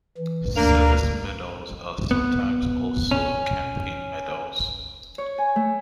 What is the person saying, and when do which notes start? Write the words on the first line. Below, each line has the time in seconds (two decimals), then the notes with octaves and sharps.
Service medals are sometimes also Campaign medals.
0.18 E3
0.56 D2 A#3 D4 A#5
2.11 B3
3.11 C#4
5.18 C#5
5.38 G#5
5.56 A3